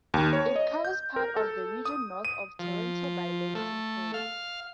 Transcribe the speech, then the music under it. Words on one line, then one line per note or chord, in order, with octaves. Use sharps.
It covers part of the region north of Toronto by Lake Simcoe.
D#2
C#5
D#5
G6
A#4
A4
D#6
D#7
F3
A3
F5